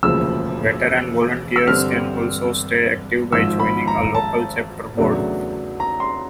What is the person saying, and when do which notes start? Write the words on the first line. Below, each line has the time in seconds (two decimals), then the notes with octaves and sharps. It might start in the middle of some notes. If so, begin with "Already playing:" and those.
Veteran volunteers can also stay active by joining a local chapter board.
0.03 E1 D2 C#3 F3 A#3 E6
1.56 E6
1.68 G2 D3 G3 C4 F6
3.32 G#1 G#2 F3 E6
3.60 B5
3.87 A#5
4.15 A5
4.97 E2 C#3 F#3 A3 D4
5.80 A#5
6.00 C6